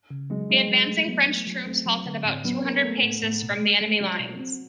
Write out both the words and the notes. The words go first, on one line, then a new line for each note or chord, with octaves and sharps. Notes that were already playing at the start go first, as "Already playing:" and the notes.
The advancing French troops halted about two hundred paces from the enemy lines.
C#3
F#3 G#3
F#3 G#3
F#3
A3
F#3 B3
A3
F#3
A3 C4
F#3
D3
A2 C4
F#3 B3
F#3 A#3
A3 B3
A2
A2
B2
G#3
G#3
F#3 G#3
B2
C4